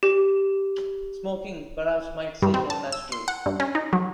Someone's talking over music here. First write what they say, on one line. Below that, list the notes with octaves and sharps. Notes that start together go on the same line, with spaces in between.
Smoking, perhaps, might seem more natural.
G4
G2
C4
A5
E6
C6
F#5
G2
C#4
D#4
F#3